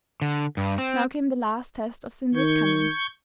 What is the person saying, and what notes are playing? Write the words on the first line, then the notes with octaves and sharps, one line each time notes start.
Now came the last test of Sindri's cunning.
D3
G2
C4
D#3 C#6 G6 G#6